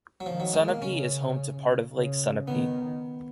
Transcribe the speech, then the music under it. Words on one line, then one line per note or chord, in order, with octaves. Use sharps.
Sunapee is home to part of Lake Sunapee.
F#3
D#3 F3
F#3
G#3
A#3
C#3 C#4
C#3
D#3 B3